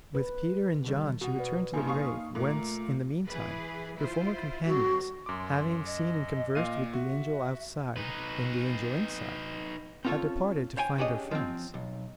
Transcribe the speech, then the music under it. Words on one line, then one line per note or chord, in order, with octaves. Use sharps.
With Peter and John she returned to the grave, whence, in the mean time, her former companions, having seen and conversed with the angel outside and the angel inside, had departed to find their friends.
B4
C3 D#3 G3
B2 F#4 F#5
B4 D5
G2 B2 A#3 D#4 G#5 C6
F5 C#6 D#6
A#2 A3 A#5
E3 G#4 B4
E4 F4 C5
D3 G3 C4 F#4
F#2 C6 D6
D#5
A#2 F5 D#7
F#4 E5
D#4 B4
C4 C#4 F4 A4 C#5
C5 C#5 G5 G#5
C#4 D4 G4 G#4 C#5 D#5
F3 C4
B1